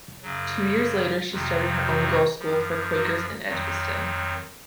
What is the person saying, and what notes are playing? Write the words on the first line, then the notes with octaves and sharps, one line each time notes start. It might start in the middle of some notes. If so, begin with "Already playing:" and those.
Two years later she started her own girls school for Quakers in Edgbaston.
F#2 C#3 F#3
F2 C3 D#3 F#3
F#3 F#4
F#2 F3
F#3 F#4
F2 D#3 F#3